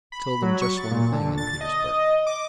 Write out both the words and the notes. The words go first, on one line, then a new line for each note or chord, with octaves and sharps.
"I told them just one thing in Petersburg."
B5
F#3
C#6
A6
A#2
D3
A6
D#5
D6